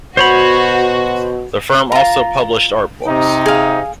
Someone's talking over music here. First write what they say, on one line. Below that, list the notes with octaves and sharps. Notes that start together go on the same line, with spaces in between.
The firm also published art books.
B2 F#4 C5 C#5 B5
F4 A#5
C3 D#4
G#4 F5